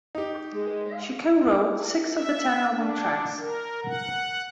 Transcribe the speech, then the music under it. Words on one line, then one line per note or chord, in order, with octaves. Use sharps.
She co-wrote six of the ten album tracks.
D#4 G4
G#3
E5
D4
A#4
F#5